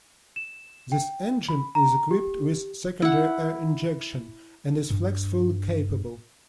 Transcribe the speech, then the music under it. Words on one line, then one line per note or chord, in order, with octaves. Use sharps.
This engine is equipped with secondary air injection, and is flex-fuel capable.
E7
G5
B5
A#5
G4
E4 F#5
G2